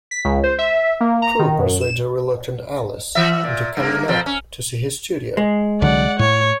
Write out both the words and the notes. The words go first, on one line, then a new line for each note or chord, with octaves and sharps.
Crewe persuades a reluctant Alice into coming up to see his studio.
B6
C#2
C5
E5
A#3
A#5
D#3
F#2
E7
E3 E5
A#2
G2 A#3
F2 F3 C4
C#4
G#3
C2 D3 F#3 D5 F#5
A2 C#5